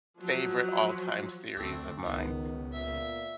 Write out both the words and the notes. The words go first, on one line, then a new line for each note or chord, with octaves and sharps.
favorite all-time series of mine.
F3 F#3
D2 A3 C4 D4
C#2 D#3 B3
A#2 E5